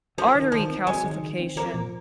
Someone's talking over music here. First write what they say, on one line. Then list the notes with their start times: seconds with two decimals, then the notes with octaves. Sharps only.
artery calcification.
0.18 F3 F#3
0.35 D#3
0.52 D#3 F3
0.70 C4
0.87 F#3 G#3
1.04 D#3
1.23 D#3
1.40 C4
1.56 F3 A#3
1.74 A#2